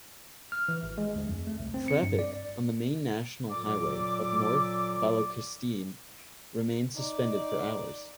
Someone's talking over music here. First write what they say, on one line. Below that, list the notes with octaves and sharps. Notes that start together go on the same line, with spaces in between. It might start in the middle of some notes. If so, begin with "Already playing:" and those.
Traffic on the main national highway of North Balochistan remained suspended for hours.
F6
E3
G#1
G#3
D2
F2
A3
C2
C4
C#7
G2
D5
A#2 F#3 A4 D5 D6
D#4 D5